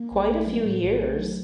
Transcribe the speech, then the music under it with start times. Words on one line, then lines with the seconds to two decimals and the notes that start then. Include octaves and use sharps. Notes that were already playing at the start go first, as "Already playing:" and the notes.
quite a few years,
Already playing: A#3
0.11 A#1
0.29 A3
0.46 F#3
0.64 A2
0.83 A#1
1.01 A3
1.18 F#3